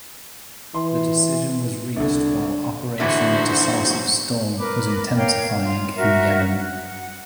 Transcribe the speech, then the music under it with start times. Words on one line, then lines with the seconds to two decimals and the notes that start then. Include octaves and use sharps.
The decision was reached while Operation Decisive Storm was intensifying in Yemen.
0.74 E3 C6
1.96 C2 D3 D4
3.00 B1 D3 E3 F#4 C5 E5
4.58 A#4 B4 D6
5.15 A#4 C#5 F5 G5
5.61 F4
5.96 F#4 A#4 E5
6.56 F#5